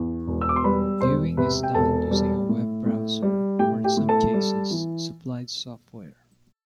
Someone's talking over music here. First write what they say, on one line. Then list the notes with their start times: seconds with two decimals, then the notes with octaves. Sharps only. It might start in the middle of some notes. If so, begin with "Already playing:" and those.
Viewing is done using a web browser or in some cases supplied software.
Already playing: E2
0.27 E1
0.41 E6
0.49 D6
0.56 C6
0.64 G3 B4 B5
1.01 E1 C5 C6
1.37 C3 B4 B5
1.63 G5
1.75 E1 A4 A5
2.11 G3
2.49 A2
2.86 A2
3.22 G3
3.59 A2 G4 G5
3.84 G4 G5
3.97 A2
4.09 A4 A5
4.34 G3
4.71 E3